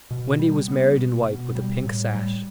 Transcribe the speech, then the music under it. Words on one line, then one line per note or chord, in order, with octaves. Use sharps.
Wendy was married in white with a pink sash.
B2
G3
B3
B2
B2
G3
A2
G3